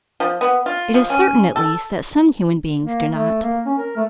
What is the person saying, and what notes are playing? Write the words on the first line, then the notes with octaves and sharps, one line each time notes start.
It is certain, at least, that some human beings do not.
F3
B3
F4
F3
C#4
A4
A#3
A3
A#3
C#4
A#4
A3